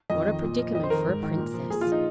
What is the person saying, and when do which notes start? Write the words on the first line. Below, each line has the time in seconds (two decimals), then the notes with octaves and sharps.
What a predicament for a princess!
0.10 F2 D#5
0.26 D#3
0.42 A#2
0.58 F3
0.74 F2 D#5
0.83 C5
0.90 D#3 A#4
1.06 G#2
1.23 D#3
1.38 A#2
1.54 F3
1.70 A#2 G#4
1.81 F4
1.86 F3
1.92 D#4